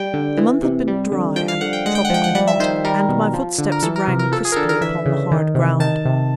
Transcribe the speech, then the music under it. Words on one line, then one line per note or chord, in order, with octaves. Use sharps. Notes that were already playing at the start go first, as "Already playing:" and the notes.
The month had been dry and tropically hot, and my footsteps rang crisply upon the hard ground.
Already playing: G3 G5
D3
E3
C3
G3
D3
F3 G5
F5
D3 F#5
G5
G#3 F#5
G5
F#5
F3 G5
F#5
G3 F#5
E5
D#3 C5
G3 A#4
B2
F3
D3
A#4
E3 A4
A#4
C3
A#4
F3 A4
G#4
A#4
D3 A4
A#4
E3 E5
C#3
D#3
C3
D#3 A5
C3